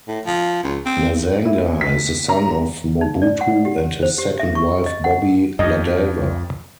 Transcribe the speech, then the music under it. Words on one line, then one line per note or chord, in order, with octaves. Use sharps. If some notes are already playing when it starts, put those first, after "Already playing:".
Nazanga is the son of Mobutu and his second wife Bobby Ladawa.
A2
F3
C#2
C4
E4
B6
A#5
D#4
D5
F#5
G4
C5
G4
E5
C#6
D#5
F#5
F2 D#5